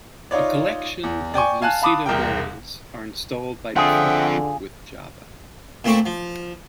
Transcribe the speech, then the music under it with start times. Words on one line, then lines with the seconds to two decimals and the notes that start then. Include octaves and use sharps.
A collection of Lucida variants are installed by default with Java.
0.31 D#4 F4 C#5 D5
1.03 E2
1.34 D5 G5 G#5 C#6
1.62 F5 G#5 A5 F#6
1.82 F5 A5 B5 D6 D#6
2.06 E1 C2 A#4 G5
3.76 D3 F3 C4 F4 G#4 E5 F#5 G5
5.84 A#2 A3 C4 C#6 D6
6.06 F3